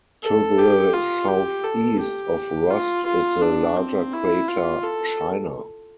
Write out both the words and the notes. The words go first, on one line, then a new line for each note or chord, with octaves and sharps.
To the southeast of Rost is the larger crater Scheiner.
A4
G4
F4
G4
A4
G4
F4
F4
D4
C4
E4
F4
A4